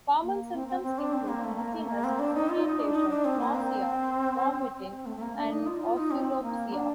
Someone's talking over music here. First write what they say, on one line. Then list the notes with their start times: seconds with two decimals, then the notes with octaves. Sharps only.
Common symptoms include dizziness, disorientation, nausea, vomiting, and oscillopsia.
0.22 A#3
0.53 C4
0.68 C4
0.83 C4
0.98 D4
1.13 C4
1.28 A#3
1.44 A3
1.58 A#3
1.74 A3
1.89 A#3
2.04 C4
2.19 D4
2.34 D#4
2.50 F4
2.65 D#4
2.79 D4
2.95 D#4
3.10 D4
3.25 C4
3.40 A#3
3.55 C4
4.91 C4
5.06 A3
5.17 A3
5.22 A#3
5.37 D4
5.52 D#4
5.67 F4
5.82 F4
5.97 D#4
6.12 C4
6.42 A#3
6.73 D4